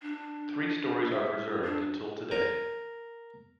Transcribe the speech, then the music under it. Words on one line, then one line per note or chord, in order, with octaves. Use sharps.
Three storeys are preserved until today.
D4
E5
D4
A#4